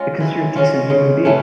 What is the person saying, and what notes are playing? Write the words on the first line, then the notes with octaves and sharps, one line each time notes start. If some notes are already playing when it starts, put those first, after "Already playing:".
Because you're a decent human being.
Already playing: G#3 C#4 F4
E3
G#3 C#4 F4
C#3
E3 A3 C#4